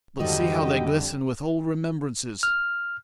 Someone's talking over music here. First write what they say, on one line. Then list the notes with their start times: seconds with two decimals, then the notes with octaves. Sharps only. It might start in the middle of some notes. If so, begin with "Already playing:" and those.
But see how they glisten with old remembrances!
0.20 F2 G#2 D3 D#3 G3 F#4 G4 D#5
2.43 F6